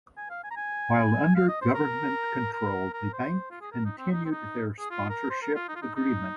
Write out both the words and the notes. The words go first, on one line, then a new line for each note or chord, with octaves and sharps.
While under government control the bank continued their sponsorship agreement.
G#5
F5
G#5
A#5
G#5
F5
D#5
C5
A#4
A#4
A#4
C5
F4
G#4
A#4
D#4
C4
D#4
C4
D#4
G#4
F4
A#4
C5
A#4
F4
D#4
F4
D#4
D#4